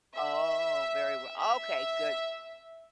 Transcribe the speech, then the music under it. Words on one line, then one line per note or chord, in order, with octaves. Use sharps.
Oh, very w okay, good.
E5
E5